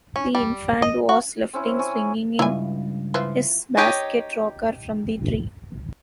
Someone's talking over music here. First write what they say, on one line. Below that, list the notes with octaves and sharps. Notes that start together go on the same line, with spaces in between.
The infant was left swinging in his basket rocker from the tree!
C#4
G3
D#5
F#4
C4 C#4 E4
G#5 C#6
C#2 G2 E4 G#5
E3 F3 C5
D#4 G4 C#5 D#5